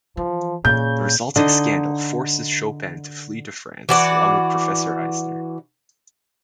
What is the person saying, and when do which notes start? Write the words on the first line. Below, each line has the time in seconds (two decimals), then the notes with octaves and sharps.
The resulting scandal forces Chopin to flee to France, along with Professor Eisner.
0.17 E3 F3
0.65 A#2 C#3 G6
1.36 D3 D#4 D#5
3.89 E3 F#4 D5